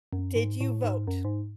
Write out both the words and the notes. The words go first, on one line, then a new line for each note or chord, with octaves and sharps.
"Did you vote?
F#2
G#2
A2
G#2
F#2
G#2